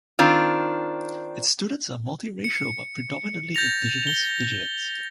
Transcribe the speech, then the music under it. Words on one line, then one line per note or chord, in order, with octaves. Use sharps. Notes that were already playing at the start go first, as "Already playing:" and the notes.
Its students are multiracial, but predominantly Indigenous Fijians.
D#3 C4 D4 F4
C#7
G6 A6 A#6 F7
G7